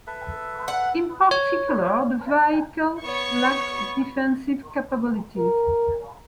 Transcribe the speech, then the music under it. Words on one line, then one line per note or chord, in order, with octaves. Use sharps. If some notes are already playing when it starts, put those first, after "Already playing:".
In particular, the vehicle lacked defensive capabilities.
A4 B4 E5
F#5
C#5
B3 C#5 C#6
A#4